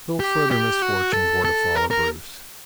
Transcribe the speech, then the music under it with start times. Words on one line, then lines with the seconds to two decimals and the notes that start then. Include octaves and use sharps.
Still further misfortunes were to follow Bruce.
0.20 G4
0.51 G4
0.82 F#4
1.13 A4
1.44 A4
1.75 A#4
1.91 A#4